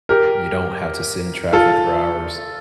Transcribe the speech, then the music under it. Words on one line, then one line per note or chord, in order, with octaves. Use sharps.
you don't have to sit in traffic for hours.
G4 A#4
F4 A4